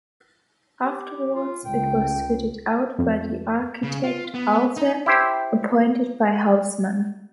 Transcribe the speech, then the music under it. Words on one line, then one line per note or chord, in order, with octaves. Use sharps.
Afterwards it was fitted out by the architect Alphand, appointed by Haussmann.
G4
F4
C#2 G5
F2
C#3
F4
B3
D#4
E4 G4 C5